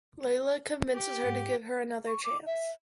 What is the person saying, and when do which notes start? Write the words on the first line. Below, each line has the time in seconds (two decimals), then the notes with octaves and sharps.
Layla convinces her to give her another chance.
0.95 G4
1.24 G#2 B3 F#5
2.07 C#6
2.24 D6
2.46 E5